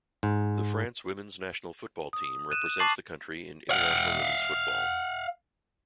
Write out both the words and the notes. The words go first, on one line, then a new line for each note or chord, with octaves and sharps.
The France women's national football team represents the country in international women's football.
G#2
D#6
F#6 D#7 E7
A5 C#6 D6 A6 C7 F#7
F5 F#5